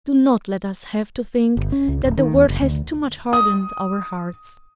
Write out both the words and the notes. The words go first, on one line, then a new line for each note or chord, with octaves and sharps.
Do not let us have to think that the world has too much hardened our hearts.
G1
C#4
C#2
D1
D#3
E2
F#1
D2
D#6